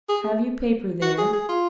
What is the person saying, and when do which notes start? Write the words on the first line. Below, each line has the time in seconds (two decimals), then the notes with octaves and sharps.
Have you paper there?
0.09 G#4
1.02 F#4
1.18 G#4
1.33 G#4
1.49 F4